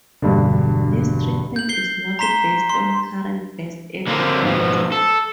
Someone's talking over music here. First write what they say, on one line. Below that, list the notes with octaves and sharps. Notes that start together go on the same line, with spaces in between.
This treatment is not based on current best evidence.
E1 G2 D3
G6 F#7
G6 C7 G7
A#5 C6 B6 E7 G7
C6
D3 A#3 C4
G#2 B2 F3
A4